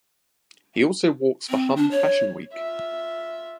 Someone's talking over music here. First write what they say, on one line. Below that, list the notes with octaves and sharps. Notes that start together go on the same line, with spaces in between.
He also walks for Hum Fashion Week.
C4
D4
C#5
F4 E5